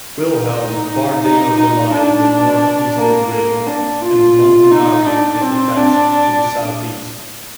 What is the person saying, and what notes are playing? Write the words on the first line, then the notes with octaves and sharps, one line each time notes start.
Wilhelm partly overlies the northeastern rim, and Montanari is attached to the southeast.
D#4
D#4
D#4
D4
A#3
A#3
D4
F4
D#4
D4
C4
D4